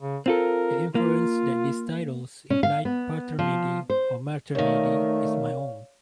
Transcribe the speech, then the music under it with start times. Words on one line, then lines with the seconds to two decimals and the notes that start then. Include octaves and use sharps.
The inference that these titles implied paternity or maternity is my own.
0.01 C#3
0.26 C4 F4 A4 A#4
0.95 A#3 F4
2.50 C#4
2.63 F5
2.85 B3
3.39 F3
3.90 C5
4.55 D#2 D#3 A3 A#4 C#5 D5 F5